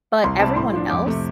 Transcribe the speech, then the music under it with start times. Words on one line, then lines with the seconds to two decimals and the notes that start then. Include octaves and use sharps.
But everyone else,
0.24 C2 C6
0.39 C3 G3 C4 A5
0.56 A2 C6
0.73 F3 D4
0.90 F2 D6
1.06 C3 A3